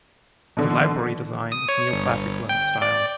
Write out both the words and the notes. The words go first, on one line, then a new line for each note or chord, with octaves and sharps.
The library design is neo-classical in style.
A#1 B2 D3 D#3
D#6
C#5
G1
G5
D5